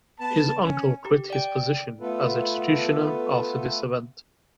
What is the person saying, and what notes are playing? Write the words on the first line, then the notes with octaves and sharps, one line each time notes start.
His uncle quit his position as executioner after this event.
B3 A5
C#4
G4
D5 G5
A3 B3 F4 A4 B4